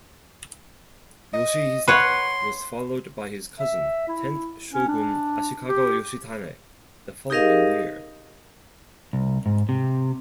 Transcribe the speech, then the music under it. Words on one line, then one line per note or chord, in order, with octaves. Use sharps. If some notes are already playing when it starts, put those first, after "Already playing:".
Yoshihisa was followed by his cousin, tenth shogun Ashikaga Yoshitane, the following year.
D#5
B4 C#5 F#5 C6
E5
E4
C#4
D4
G4
D#4 G4 G#4 A#4 D#5 F5
C2
G#2
C3